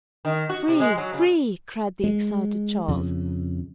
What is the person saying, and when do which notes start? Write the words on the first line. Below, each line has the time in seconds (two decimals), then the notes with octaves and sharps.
"Free! free!" cried the excited Charles.
0.25 D#3
0.49 F#4
0.68 C3
0.80 G#3
0.98 F#3
1.13 C#3
2.04 G#3
2.88 F2 C#3